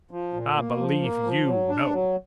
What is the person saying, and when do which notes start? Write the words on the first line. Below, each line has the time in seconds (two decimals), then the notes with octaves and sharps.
I believe you know.
0.11 F3
0.33 A#2
0.56 A#3
0.78 F3
1.01 A#3
1.23 F3
1.46 F#3
1.69 D4
1.91 F#3